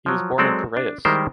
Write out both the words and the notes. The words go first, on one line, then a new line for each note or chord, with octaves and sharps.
He was born in Piraeus.
F3 F#3
F#3 G#3 C4 A4 D5
D4
D#3 G3 G#3 E4 A#4 C5